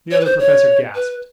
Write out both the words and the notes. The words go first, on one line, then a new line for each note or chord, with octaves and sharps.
The Other Professor gasped.
C#5
B4
C5
C#5
B4